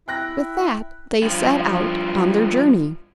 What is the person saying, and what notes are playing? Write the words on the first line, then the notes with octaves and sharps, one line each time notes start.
With that they set out on their journey.
E4 G5 F#6 A#6
G2 F3